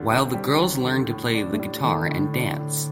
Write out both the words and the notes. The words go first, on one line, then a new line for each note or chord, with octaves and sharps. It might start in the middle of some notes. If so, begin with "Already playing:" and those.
While the girls learned to play the guitar and dance.
Already playing: D#2 D3 G3
C4
G3
D#2
D3
A2
D4
A3
A2 G3
D#3 A3
A2 D3
D4
A2